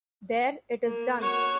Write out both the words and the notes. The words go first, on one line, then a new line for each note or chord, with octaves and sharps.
There - it is done.
A#3
F#4 C#5